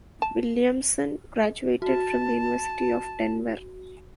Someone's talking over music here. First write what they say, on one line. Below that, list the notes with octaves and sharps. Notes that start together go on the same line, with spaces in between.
Williamson graduated from the University of Denver.
A5
F#4 A5